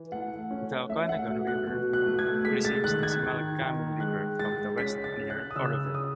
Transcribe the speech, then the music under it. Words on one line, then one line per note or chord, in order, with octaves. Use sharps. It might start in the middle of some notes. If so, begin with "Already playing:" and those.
The Okanogan River receives the Similkameen River from the west near Oroville.
Already playing: E3
A3 F#5
C#4
A3 E5
F#5
B2
F#6
B2
F#6
A3
G#6
G#3 B6
A6
D#3 F#6
G#6
D#3
D#3
G#3 F#6
G#3 A6
C#4 B6
A6
C#4
F#6
D#6
C#3 E6
C#4 D#6